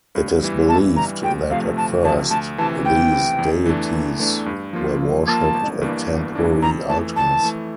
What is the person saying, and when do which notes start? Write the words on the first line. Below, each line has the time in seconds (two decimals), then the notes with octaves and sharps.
It is believed that, at first, these deities were worshiped at temporary altars.
0.15 G2
0.43 E3 G3
0.69 G2 A5
0.96 E3 G3 A#5
1.23 D2 G5
1.50 C3 F3 A3 F5
1.77 D2 A5
2.04 C3 F3 A3 A5
2.30 D2 A5
2.58 E3 A5
2.62 C3
2.85 D2 G5
3.12 C3 E3
3.38 E2
3.66 E3 A3 D4
3.92 E2
4.20 E3 A3 D4
4.46 G2
4.73 F3 A#3 F4
5.00 G2
5.27 F3 A#3 F4 A5
5.54 G1
5.81 G2 E3 A#3 D4
6.08 G1
6.35 G2 E3 A#3 D4
6.62 F2 A#5
6.89 E3 A3 A5
7.16 F2 A5
7.43 E3 A3